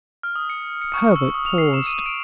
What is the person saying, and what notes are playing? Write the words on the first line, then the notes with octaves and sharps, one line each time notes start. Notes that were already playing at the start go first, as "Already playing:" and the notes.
Herbert paused.
F6
D#6
C#7
C#7
C#6
E6
D#6
F7
C7
E7
D#7
D7